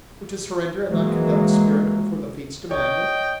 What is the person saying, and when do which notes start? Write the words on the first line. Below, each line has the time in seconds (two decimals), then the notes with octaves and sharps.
Or to surrender an uncondemned spirit before the fates demand it?
0.89 E3 F#3 G#3 A#3
2.71 C#5 D#5 G5